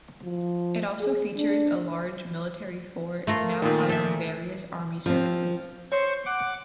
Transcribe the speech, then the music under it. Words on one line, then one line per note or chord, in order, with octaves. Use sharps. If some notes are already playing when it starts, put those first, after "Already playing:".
It also features a large military fort, now housing various army services.
F3
G#4
D4
A3 F4 A#4
A#2 D#3
A4 E5
F3 C4
C5 C#5 C#6
F#5 D6